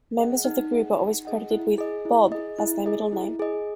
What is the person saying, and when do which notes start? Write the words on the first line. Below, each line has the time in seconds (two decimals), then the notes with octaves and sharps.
Members of the group are always credited with "Bob" as their middle name.
0.18 G#4 D#5 F#5
0.45 D#4
0.71 G#4 D#5 F#5
0.98 D#4
1.25 G#4 D#5 F#5
1.51 E4
1.78 G#4 D#5
2.05 E4
2.32 G#4 D#5
2.58 E4
2.86 G#4 D#5
3.13 E4
3.39 G#4 D#5